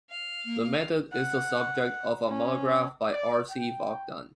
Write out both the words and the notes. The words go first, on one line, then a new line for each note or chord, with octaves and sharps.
The method is the subject of a monograph by R. C. Vaughan.
F5
A#3
F#5
C#4
D5
G5